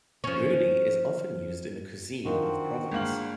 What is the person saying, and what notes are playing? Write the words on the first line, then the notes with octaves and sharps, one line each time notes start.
Rouille is most often used in the cuisine of Provence.
F3 C#4
D#3 C4 D4 F4 F#4
G1 G#3 A#3 D4 F5 F#7